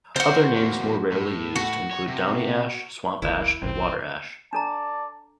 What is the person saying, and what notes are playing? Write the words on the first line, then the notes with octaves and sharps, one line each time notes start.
Other names more rarely used include downy ash, swamp ash and water ash.
C4 F#4 A#4 C5
E2 A#3
A2
F#4
C#5
C3
F#1 C#2 E3 A#3 E4
G#1 D2 A#2 C4
D4 A4 D5 A5 A#5